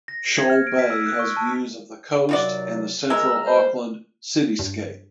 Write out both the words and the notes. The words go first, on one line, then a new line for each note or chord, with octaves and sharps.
Shoal Bay has views of the coast and the central Auckland cityscape.
A#6
C#7
G#6
F6
D7
B6
E6
F#6
C#6
A5
D#2 C3 F#3 F4 F#4 D5
G#3 A#4 A#5 E6
C5
G2